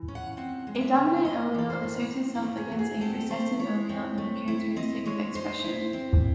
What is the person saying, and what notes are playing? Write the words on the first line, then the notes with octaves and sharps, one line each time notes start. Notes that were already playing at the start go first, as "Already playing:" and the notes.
A dominant allele asserts itself against a recessive allele in the characteristic expression.
Already playing: E3
C#4
F#5
C4 F#5
G#3
F#5
E5
C#3
A3 D#5
E3 A4
C5
A2
C4
E4
A3
G#4
F#3
G#4
C4 A4
A3 C5
E4 C#5
C4
A3
E4
C4 D#5
G#3 C#5
D#4 C5
E4
C4